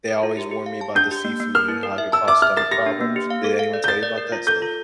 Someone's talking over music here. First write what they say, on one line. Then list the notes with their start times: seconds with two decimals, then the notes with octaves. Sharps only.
they always warn me about the seafood and how it could cause stomach problems. Did anyone tell you about that stuff?
0.08 A#4
0.23 F4
0.37 G4
0.51 G4
0.66 F5
0.81 A5
0.95 D4 G6
1.11 G4
1.25 A#3
1.40 A#3
1.55 A#4 F6
1.68 E4
1.83 A#4
1.98 E5
2.12 A5 E6
2.28 E5 D6
2.42 E5 F6
2.57 A#4 A6
2.71 G4 A#6
2.86 D4
3.01 A#3
3.16 G4
3.30 F5
3.44 A4
3.59 F5
3.73 D5
3.84 G6
3.88 A#4 A6
4.03 D5
4.18 A#4
4.32 F4
4.47 A4 G6
4.62 F4